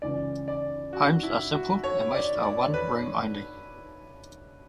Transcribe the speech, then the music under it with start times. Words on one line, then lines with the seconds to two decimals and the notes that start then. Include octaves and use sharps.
Homes are simple and most are one room only.
0.02 C#2 C#3 E3 D5
0.48 D5
0.93 F#4
1.23 E4
1.53 F#4
1.84 C#5
2.14 D5
2.43 D5
2.74 B4